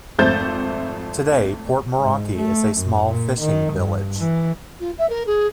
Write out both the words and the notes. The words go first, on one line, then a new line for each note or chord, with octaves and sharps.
Today, Port Moeraki is a small fishing village.
G#1 F2 A3 C5 G6 A6
G#2
A3
F#2
A#2
D#3
G2
E3
F4
E5
A#4
G#4